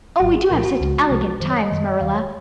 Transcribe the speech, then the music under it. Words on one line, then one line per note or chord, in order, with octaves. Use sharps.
Oh, we do have such elegant times, Marilla.
G#1 G#2 F#3 F#4
G#4
C2 A#2 F3 A#4
F4
F#4
C#2 C#3 G#3
C2 C3 F3 G#3
F#2 D#3 F#3 C5
C#5
D#5
F#2 D#3 F#3
D#2 D#3 F#3 F5
C#5